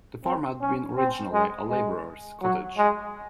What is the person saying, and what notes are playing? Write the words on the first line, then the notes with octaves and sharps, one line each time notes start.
The farm had been originally a labourer’s cottage.
C4
C#4
C4
G#3
G#3
F#3
G#3